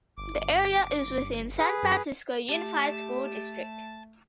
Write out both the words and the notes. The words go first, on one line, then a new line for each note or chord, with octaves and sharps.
The area is within the San Francisco Unified School District.
G1 D6
D6
G#4 B4
F#2
A3 G4 A5